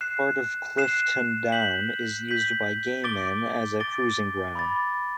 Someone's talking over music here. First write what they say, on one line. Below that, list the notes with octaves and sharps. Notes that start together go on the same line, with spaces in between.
Part of Clifton Down is used by gay men as a cruising ground.
F#6 C7 E7
F#6 C7 E7
G6 B6 F#7
G6 B6 F#7
D6 A6 D7 G7
D6 A6 D7 G7
B5 D6 A6